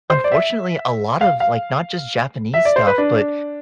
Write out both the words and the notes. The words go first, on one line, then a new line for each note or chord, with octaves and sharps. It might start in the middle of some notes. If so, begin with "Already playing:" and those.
unfortunately, a lot of, like, not just Japanese stuff, but
C5
D5
E5
F5
F5
E5
D5
C5
B4
D4